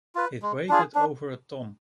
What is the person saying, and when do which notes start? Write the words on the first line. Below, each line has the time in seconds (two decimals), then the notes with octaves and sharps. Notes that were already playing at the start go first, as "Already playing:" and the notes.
It weighed over a ton.
0.15 F4 B4
0.42 G#3
0.69 D4 F4 G#4
0.95 D4